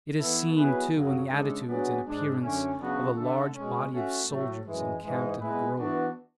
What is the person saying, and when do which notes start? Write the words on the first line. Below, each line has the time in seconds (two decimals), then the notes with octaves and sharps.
It is seen, too, in the attitudes and appearance of a large body of soldiers encamped in a grove.
0.18 E3 B3 E4 A4
0.55 F#3 B3 E4 G#4 B4
0.92 F#2 C#3 F#3 C#4
1.29 C#3 G#3 D4 A4
1.66 F#3 B3 D4 G#4 D5
2.05 G#2 G#3 D4
2.41 F#2 D3 A3 C#4
2.78 C#3 F#3 B3 D4 F#4
3.16 D3 A3 D4 A4
3.53 B2 G#3 C#4
3.90 A3 C#4 F#4
4.27 A2 F#3 A3
4.65 F#2 E3 G#3
5.02 G#2 E3 G#3
5.39 G#3 B3 E4 G#4 B4
5.76 E3 B3 D4 F#4